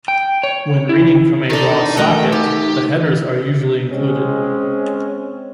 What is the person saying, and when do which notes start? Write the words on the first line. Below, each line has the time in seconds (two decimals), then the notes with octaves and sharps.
When reading from a raw socket, the headers are usually included.
0.08 G5
0.43 C#5
0.89 E4
1.50 D#3 D4 D#4 A4
1.97 A3 F#4 A#4 D#5 F#5 G5
2.32 D#3 D#4 G4
3.92 G#3 C4 C#4